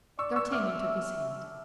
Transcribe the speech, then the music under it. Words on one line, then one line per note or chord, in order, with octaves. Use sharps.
D'Artagnan took his hand.
D5 C#6 E6
C#6 E6
E5 D6 F6
E5